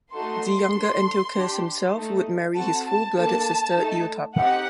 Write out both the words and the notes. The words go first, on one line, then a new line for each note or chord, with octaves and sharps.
The younger Antiochus himself would marry his full-blooded sister Iotapa.
A3 D#4 F#4 A4 C6
D4 A4
D4 G4
A3 D#4 A4
C4 F#4 A4 A5
A5
A#3 D4 A4 A5
A3 D#4 A4
C4 D#4 G4 F#5